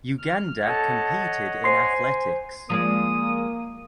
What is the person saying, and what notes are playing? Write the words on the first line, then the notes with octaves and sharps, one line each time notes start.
Uganda competed in athletics.
F6
A4 C#5 D#5 F#5 A5
C5 G#5 C6 C7
F3 G#3 A#3 D5 D#6